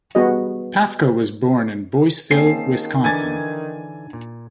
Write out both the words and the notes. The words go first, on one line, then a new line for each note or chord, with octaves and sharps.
Pafko was born in Boyceville, Wisconsin.
G3 B3 F#4 G#4 D#5
D#3 A#3 C4 C#4 G#4 A5 C7
D3 E3 D4 D#4 G#5 G#6 A6
A#2